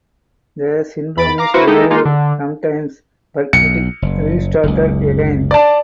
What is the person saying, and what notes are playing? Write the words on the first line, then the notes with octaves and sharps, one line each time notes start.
The syndrome is relieved sometimes but it restarted again.
E2 B5 A6 D7
F5 A#5 D6
A#3 E4 F#4 B4 C5 F#5
G#3 A#3 D#4 E4 G4 A4
G#3 A#3 D#4 F4
D3
B1 C#7
F#1
F#1 C#2
D5 A5